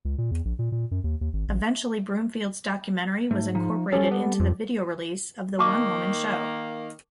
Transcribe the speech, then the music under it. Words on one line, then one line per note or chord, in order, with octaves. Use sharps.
Eventually Broomfield's documentary was incorporated into the video release of the one-woman show.
C#2
A#2
E2
A#1
A#2
A#2
F#2
D#2
D#2
G#1
A1
G#2 A3
F3 D#4
G3 C#4 G4 A4
B3
F2
D#3 A#3 A5 C#6 D6